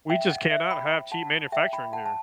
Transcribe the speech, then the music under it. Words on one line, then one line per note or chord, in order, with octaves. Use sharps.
We just cannot have cheap manufacturing here.
E5 G5
D#5 F#5
C5 E5
G5 B5
F#5 A5
E5 G5
G5 B5
F#5 A5
A5